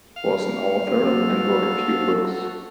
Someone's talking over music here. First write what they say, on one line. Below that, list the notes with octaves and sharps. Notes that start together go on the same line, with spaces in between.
He was an author and wrote a few books.
F5
F#3 A#3 F#4 A4 C5